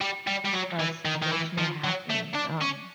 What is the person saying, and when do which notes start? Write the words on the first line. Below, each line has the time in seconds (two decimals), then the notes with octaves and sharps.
uh, situation that happened, um,
0.01 G3
0.27 G3
0.45 G3
0.53 F#3
0.79 E3
1.05 D#3
1.22 D#3
1.32 E3
1.58 F3
1.84 F#3
2.10 A3
2.35 D4
2.62 C#4